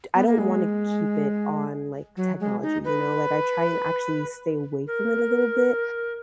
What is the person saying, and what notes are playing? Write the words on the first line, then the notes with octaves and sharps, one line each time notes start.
d I don't wanna keep it on, like, technology, you know? Like, I try and actually stay away from it a little bit
B3
A#3
G#3
F#3
G#3
D#4
B4
A#4